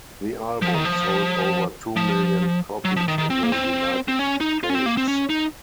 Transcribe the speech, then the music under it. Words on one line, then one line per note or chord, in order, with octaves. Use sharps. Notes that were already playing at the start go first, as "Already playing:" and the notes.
The album sold over two million copies in the United States.
F3
D#3
F3
F3
F#3
F3
D#3
D#3
C4
A#3
C4
C4
C#4
D#4
F4
C#4
C4
A#3
C4
C#4
D#4